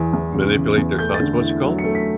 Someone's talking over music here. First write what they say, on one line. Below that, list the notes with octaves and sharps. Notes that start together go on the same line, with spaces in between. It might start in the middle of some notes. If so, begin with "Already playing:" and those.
manipulate their thoughts. What's it called?
Already playing: E2 E3
E2
C#3
E3
E2
A3 G6
A6
D3
E4
F#3
C#7
A3
B6